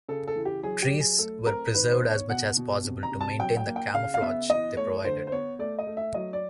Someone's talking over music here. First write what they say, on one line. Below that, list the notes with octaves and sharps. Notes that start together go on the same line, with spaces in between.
Trees were preserved as much as possible to maintain the camouflage they provided.
C#3 A4
A4
E3
G4
F#3 G#4
G4
F#3
G#4
A3 A4
C4 A#4
D#3 B4
C5
B3
C#5
B2 F#5
B2
C3
A#5
C3
A5
F#3 G5
G5
A#3
G5
C#3 F5
F5
B3 E5
E3 D#5
A3 C#5
D3 C5
C5
B3 C#5
A3 D5
D#5
A3
E5
F#3 D#5
D5